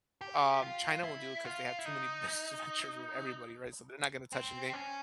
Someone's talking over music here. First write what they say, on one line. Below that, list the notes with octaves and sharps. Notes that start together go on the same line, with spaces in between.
Um, China won't do it 'cause they have too many business ventures with everybody, right? So, they're not gonna touch anything.
G4
F4
E4
F4
E4
D#4
C4
C#4